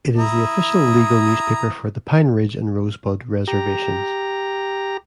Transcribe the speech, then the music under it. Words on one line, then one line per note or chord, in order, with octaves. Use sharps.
It is the official legal newspaper for the Pine Ridge and Rosebud reservations.
E4 A#5 D#6
G4 A#5